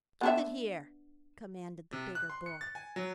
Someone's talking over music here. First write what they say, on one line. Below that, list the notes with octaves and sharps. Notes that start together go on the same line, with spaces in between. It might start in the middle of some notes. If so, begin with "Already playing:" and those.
"Give it here!" commanded the bigger boy.
B3 D4 E5
C3
F#6
C6
C#7
A6
G#5
F#3